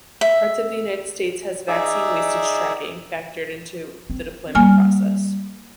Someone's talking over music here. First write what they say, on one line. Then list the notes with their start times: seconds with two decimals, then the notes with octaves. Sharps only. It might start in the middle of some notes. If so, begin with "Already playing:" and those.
Parts of the United States has vaccine wastage tracking factored into the deployment process.
0.21 E5
1.68 D#4 G#4 D5 E5
4.10 C4
4.55 G3 A#3 G#5 F6